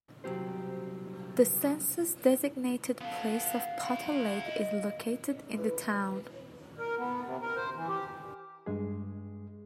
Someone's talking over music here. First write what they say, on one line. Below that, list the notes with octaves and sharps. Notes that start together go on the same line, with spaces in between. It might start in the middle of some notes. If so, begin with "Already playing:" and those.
The census-designated place of Potter Lake is located in the town.
C2 F#3 C4 G4 C5
B3 A4 F5
E4 F#5
D#5
B4
A#4
B3
C3
A#4
C5
E3
G4
G2 G#3 G#4